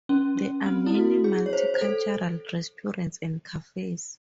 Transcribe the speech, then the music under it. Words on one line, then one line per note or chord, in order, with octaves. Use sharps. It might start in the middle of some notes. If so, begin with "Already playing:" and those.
There are many multicultural restaurants and cafes.
C#4
C#4
C4
E4
F#4
G#4
C#5
C5
C5
A4